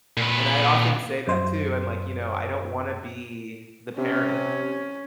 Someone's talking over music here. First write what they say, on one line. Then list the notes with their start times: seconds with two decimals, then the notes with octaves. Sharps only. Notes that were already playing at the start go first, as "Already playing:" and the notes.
And I often say that, too, I'm like, "You know, I don't wanna be the parent."
0.17 A#2 B4
1.27 F#2 C5
3.98 C3 C#4